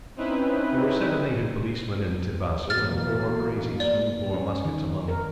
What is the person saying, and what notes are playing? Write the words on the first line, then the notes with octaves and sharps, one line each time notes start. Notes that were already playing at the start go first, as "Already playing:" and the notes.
There were seven native policemen in Tibasu, and four crazy smooth-bore muskets among them.
C4 C#4 D#4 E4 B4
B2 E3 A#3 F6 A6
D5
C#4
D#3
A#4